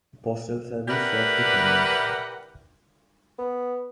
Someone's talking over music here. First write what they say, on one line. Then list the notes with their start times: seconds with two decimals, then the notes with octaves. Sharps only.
Postal Service serves the community.
0.89 E4 G4 A#4 B4 D5 F#5
3.38 B3